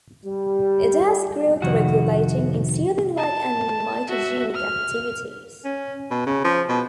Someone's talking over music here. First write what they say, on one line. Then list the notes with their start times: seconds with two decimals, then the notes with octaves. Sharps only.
It has growth-regulating, insulin-like and mitogenic activities.
0.25 G3
1.62 C2 F2 D#3 F#4 F#5
3.18 A5
4.09 F#4 E5
4.54 F6
5.64 C#4
6.10 B2
6.26 C#3
6.44 F3
6.69 B2